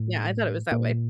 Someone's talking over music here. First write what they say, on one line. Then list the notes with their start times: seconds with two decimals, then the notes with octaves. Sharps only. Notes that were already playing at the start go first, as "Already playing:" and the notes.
Yeah." I thought it was that way.
Already playing: A2
0.72 A#2